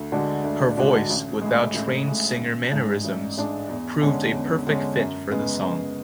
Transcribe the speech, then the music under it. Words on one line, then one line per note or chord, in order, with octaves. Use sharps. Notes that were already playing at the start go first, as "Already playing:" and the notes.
Her voice, without trained singer mannerisms, proved a perfect fit for the song.
Already playing: D2
D3 G#3 D4 F#4
D2
D3 G#3 D4 F#4
A1
A2 G#3
A1
A2 G#3
A1
G#2 G#3 D4
A1
G#2 G#3 D4
E2
D3 G#3 C#4
E2
D3 G#3 C#4
F#2
C#3 G#3 B3
F#2